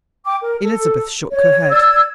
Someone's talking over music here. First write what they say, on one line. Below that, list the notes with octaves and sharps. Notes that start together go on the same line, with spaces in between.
Elizabeth shook her head.
G5 D6
A#4
A4
C#5
D5 E6 G#6